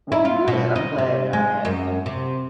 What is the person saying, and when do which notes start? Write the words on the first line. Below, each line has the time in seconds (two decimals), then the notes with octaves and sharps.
Well, good, I'm glad I had some,
0.12 E4
0.25 F4
0.48 B2
0.76 D#4
0.98 C3
1.33 G#3
1.65 F#2
2.06 C3